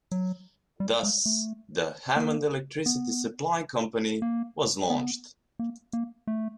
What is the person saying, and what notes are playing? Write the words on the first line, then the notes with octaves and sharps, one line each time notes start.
Thus the Hammond Electricity Supply Company was launched.
F#3
G3
G#3
A3
A#3
B3
A#3
B3
A#3
A#3
A3